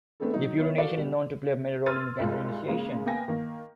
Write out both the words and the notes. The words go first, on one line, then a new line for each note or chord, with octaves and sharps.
Depurination is known to play a major role in cancer initiation.
A3 B3 C4 D4 G#4 A4
F#3 D#4
B3 E4 C#5
F#4 A4 A#4 D5 F5
B2 G3
C6 E6 F6 G#6 A6 D#7
C2 G#2 G#3 F4
C#3 G#3 A#3
A#3 B3 G5 G#5 A#6
D#3 A#3